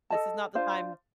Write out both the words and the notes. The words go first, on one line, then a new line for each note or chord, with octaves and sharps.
this is not the time
A4 D#5 A5
D4 F4 C5